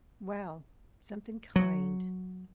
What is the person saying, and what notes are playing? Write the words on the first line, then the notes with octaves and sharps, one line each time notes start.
Well, something kind?
F#3